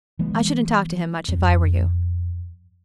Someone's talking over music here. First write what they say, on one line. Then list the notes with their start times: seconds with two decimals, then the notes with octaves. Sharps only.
I shouldn't talk to him much if I were you.
0.19 E3 G#3 B3
1.28 F2